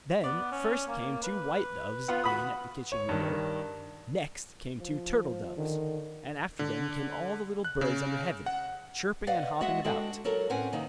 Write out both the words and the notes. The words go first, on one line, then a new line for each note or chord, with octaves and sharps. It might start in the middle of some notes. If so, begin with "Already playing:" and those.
Then first came two white doves in at the kitchen window; next came two turtle-doves; and after them came all the little birds under heaven, chirping and hopping about.
B3 D5
C#4
A#3
B4
B3 F4 F#5
F#4 B4 B5 D#6
C#5
G2 D#3
F3
D3 D#3
D3
F#6
C#3
F#5
B4 D5 D#5 F5 F#5
G#3 F#4 D#5 E5 F#5
G#3 D4 F#4 A4 G5
F#3 F#4 A4 A#4
A2 C4 C#4 B4 F#5 G#5
C3 D#3 A#3 D#4